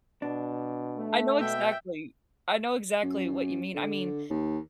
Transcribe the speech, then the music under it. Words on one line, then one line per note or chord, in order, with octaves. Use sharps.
I know exactly I know exactly what you mean I mean,
B2 D4
A3
B2 E5 G5
F#2
D3
D#2